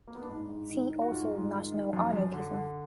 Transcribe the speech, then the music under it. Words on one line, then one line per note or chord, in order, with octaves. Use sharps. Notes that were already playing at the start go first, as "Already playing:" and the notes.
See also National anarchism.
A#3
B3
D4
G#2 D#4
G#2
D#3
D#3
F#4
G#2 F4
G#2
D#3
D#3
F#2
F#2
D3
D3